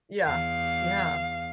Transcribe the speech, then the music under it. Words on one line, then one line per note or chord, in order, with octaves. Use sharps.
Yeah, yeah.
E2 F5